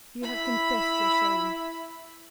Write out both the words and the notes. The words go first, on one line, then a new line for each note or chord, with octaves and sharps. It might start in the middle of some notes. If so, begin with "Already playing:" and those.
You have confessed your shame.
E4 B5